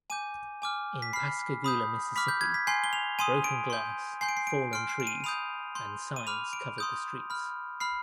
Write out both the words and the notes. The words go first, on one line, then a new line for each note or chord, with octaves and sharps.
In Pascagoula, Mississippi, broken glass, fallen trees and signs covered the streets.
G#5 D6 G6 D#7
G#5 D6 F6
B6
B5 F6 C7
B5 D#6 G6
B5 D6 F6 B6
G6
G#6
B6
G#5 C6 G6 C7
G7
F7
G#5 C6 D#6 D#7
D7
C6 G6
G#5 C6 G6 C7
D7
C7
D7
C6 F6 D7
C7
D7
D#7
B5 D#6 G6 F7
C6 G6
D#7
B5 D6 F6 F7
D7
C6 D#6 G6
B5 F6
B5 F6 C7